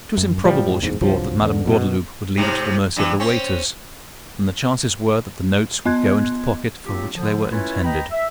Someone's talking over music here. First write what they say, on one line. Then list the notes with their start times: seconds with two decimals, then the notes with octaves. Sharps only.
It was improbable, she thought, that Madam Gordeloup would leave it to the mercy of the waiters; and the chances were that the notes would go into the pocket for which they were intended.
0.17 F#2
0.44 A2 F3 G3
0.81 E1 E2 G#2
1.01 C2 G2 F3 F#3
1.41 E2 D3
1.65 F#2 B2
2.38 G#2 C3
2.96 G2 E3
3.20 C4 C#4
5.85 B3 D#5 C6 F#6 G#6
6.86 F#3 A#3 C4 D4 F4 G4
7.13 D3 F3
7.51 A3 C#4 E4 F4 B4 C#5
7.83 B4 D#5 G5 A#5 B5
8.11 E5